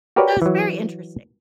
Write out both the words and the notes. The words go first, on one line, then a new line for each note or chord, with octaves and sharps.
So, it's very interesting.
F#4 G4 A#4 B4 C#5 D5
E3 F#3